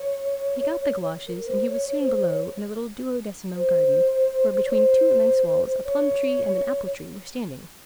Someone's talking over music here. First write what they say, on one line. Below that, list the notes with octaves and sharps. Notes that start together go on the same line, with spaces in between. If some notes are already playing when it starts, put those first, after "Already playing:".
He got the Galoshes, and he was soon below in a little duodecimo garden, where between two immense walls a plumtree and an apple-tree were standing.
Already playing: C#5
A#4
C5
C#5
C#5
C5
C5
C#5
C5
C#5
C5
C#5